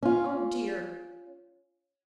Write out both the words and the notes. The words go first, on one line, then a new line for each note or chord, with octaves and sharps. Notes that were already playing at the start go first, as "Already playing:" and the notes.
Oh dear!
C#4 F4